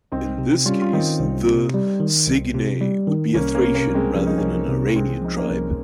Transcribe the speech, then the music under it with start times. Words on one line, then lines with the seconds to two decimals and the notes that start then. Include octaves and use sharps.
In this case the Sigynnae would be a Thracian rather than an Iranian tribe.
0.12 C2 C4 D#4
0.38 C3
0.66 G3 C#4 F4
0.82 F4
0.93 D#3 C4 D#4
1.19 C2
1.47 C3
1.74 G3
2.00 D#3
2.26 C2
2.54 C3
2.81 G3
3.07 D#3
3.35 C2 A#3 C#4
3.55 A#3 C#4
3.61 C3
3.75 A#3 C#4
3.88 C2
3.94 G#3 C4
4.15 F3 C#4
4.26 D#4
4.37 C2 A#3 C#4
4.68 C3
4.89 C#4
4.95 C2 G#3 C4
5.22 F3 D#4
5.35 A#3 C#4
5.49 C2